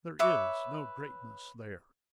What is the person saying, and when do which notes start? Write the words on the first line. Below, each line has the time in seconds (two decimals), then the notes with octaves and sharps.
There is no greatness there.
0.19 B4 C#5 E5 D6